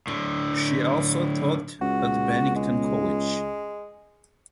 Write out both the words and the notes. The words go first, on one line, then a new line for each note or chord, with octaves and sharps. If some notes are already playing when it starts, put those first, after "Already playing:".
She also taught at Bennington College.
A2 D3
C#2 F#4
G#3